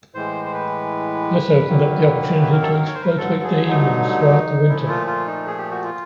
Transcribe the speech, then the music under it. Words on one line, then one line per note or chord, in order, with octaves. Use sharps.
This opened up the opportunity to exploit weekday evenings throughout the winter.
A2 E3 G#3 C5
C5
B4
F#2 D#3 F#3 A#3
B4
A#4
A4
A#4
C#5
C5
B4
A#4
G2 D3 F#3 A3 A4
G#4
D#4
A#2 F3 A3 E4
F4
F4
D#4
G#4
G4
F#4
F4